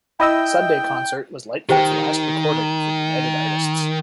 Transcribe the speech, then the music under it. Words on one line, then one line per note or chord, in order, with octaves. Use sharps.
"Sunday Concert" was Lightfoot's last recording for United Artists.
E4 D#5 G5 E6
D#3 G4 C5 G5